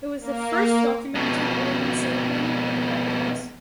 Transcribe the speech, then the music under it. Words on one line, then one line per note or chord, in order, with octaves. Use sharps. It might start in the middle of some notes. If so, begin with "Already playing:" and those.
It was the first documented wedding ceremony in the White House.
A#3
F2 B2